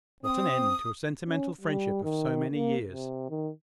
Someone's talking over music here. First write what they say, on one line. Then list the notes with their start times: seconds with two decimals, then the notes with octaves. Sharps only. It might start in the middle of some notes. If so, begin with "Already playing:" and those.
"What an end to a sentimental friendship of so many years!"
0.23 C4 D#6
1.29 C#4
1.61 G3
2.04 D#3
2.53 A#3
2.88 C3
3.30 D#3